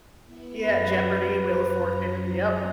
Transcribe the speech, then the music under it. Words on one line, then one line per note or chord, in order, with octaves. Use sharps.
Yeah, Jeopardy, Wheel of Fortune, yup.
B3 E4
F#2 F#3 B4 A#5